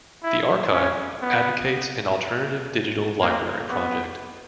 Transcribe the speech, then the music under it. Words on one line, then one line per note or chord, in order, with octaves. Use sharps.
The Archive advocates an alternative digital library project.
E4
C#4
B3
A#3
B3